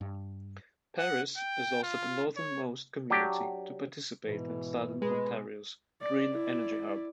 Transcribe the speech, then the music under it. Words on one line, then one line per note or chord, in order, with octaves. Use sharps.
Paris is also the northernmost community to participate in Southern Ontario's Green Energy Hub.
G2
F#5
G5
F4
C#5
F#3 D4 G4
G#2 B2 E3
B2 G#3 B4
D5
E4 D5